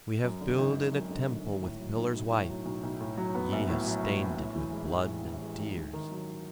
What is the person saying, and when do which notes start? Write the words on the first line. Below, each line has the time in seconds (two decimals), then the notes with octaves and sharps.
We have builded a temple with pillars white, ye have stained it with blood and tears!
0.24 F#2
0.41 D3
0.58 G#1
0.76 G#1
0.93 F#2
1.10 D3
1.28 G#1
1.45 G#1
1.62 A2
1.79 F#3
1.96 B1
2.14 B1
2.31 A2
2.48 F#3
2.65 B1
2.83 B1
3.00 A2
3.18 F#3
3.35 B3
3.52 A#1
3.69 A2
3.86 F#3
4.04 B3
4.21 A#1
4.39 A2
4.56 E3
4.72 G#3
4.90 A1
5.08 A2
5.25 E3
5.42 G#3
5.59 A1
5.77 G#2
5.93 D#3
6.11 F#3